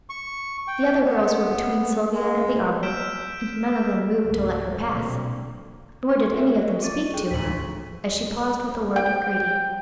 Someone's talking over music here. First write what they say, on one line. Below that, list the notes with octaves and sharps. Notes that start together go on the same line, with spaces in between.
The other girls were between Sylvia and the arbor, and none of them moved to let her pass; nor did any of them speak to her, as she paused with a word of greeting.
C#6
G5
B3
G#3
E6 F6 G6 B6 D7 E7
C#2 G#2
B1 A#2 D3 F#3 C4
C6
A3 F#4 E5
F4 C#6 A6 D#7
G#4 A4 G5
D2 G#2 B6 F#7
G5